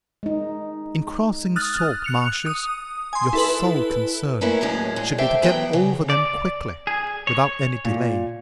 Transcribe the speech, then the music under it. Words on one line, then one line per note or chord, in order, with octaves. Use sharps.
In crossing salt-marshes, your sole concern should be to get over them quickly, without any delay.
G#3 D#4
D#6 F6 F#6 A6
F#6 C#7 F7
D#6
G#5 C6
E4 A4 B4
A3 A#3 C#4 E4 B4 C#5
D#2 A2 F#3 G#3 C#4
G2 G#3
G4 A4 C5 E5 G5
E3 F#3 B3 G5
C#3
D5
G#4
C#5
A#2